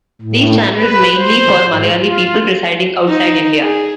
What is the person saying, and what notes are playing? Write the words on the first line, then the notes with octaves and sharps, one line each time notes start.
These channels mainly for malayali people residing outside India.
A2
B4
C5
G#2
F4
D#4
G#4